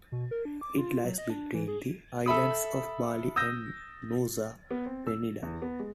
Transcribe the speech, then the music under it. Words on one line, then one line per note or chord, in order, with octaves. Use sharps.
It lies between the islands of Bali and Nusa Penida.
B2
A#4
D4
D6
F4
F#3
D#5
D4
E3
G#4
A4 E5 B5 D#6
D#6 E6 G6 A#6
B3
C4
E6
E2
B3
G#3